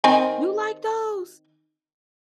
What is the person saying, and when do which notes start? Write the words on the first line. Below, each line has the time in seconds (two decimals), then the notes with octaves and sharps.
You like those?
0.04 D#3 C4 G#5